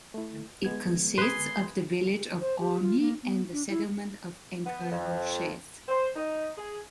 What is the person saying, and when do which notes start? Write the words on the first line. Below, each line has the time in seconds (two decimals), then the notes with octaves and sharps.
It consists of the village of Orny and the settlement of Entreroches.
0.14 A3 E4
0.65 G#3 B3 G#6
1.18 G#4 B4 C6
2.41 C5
2.60 G4
2.82 F4
3.00 A#3
3.23 B3
3.52 D4
3.69 E4
4.66 B3
4.92 F2
5.88 C5
6.16 D#4
6.58 G#4